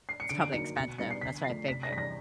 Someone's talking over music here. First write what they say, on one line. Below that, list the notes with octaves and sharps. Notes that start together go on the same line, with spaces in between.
It's probably expensive that's what I figured.
C7
C#7
D3 D7
D7
F#3 A#3 D#4 C#7
B2 C#7
G3 B3 D#4 C#7
C7
D3 B6
F3 A3 C7
C3 B6
A#6
G3 B6
E3 A#6